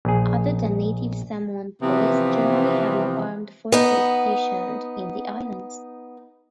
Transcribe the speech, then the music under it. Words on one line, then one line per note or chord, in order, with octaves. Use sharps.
Other than native Samoan police, Germany had no armed forces stationed in the islands.
A#1 G#4
C3 E3 F3 B3 C4
B3 D#4